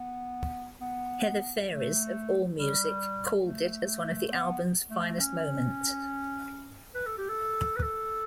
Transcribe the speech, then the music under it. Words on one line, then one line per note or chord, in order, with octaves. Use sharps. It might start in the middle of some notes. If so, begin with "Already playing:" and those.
Heather Phares of Allmusic called it as one of the album's finest moments.
Already playing: B3
B3
A3
G3
A3
A3
B3
A3
C#4
B4
A4
G4
A4
B4
A4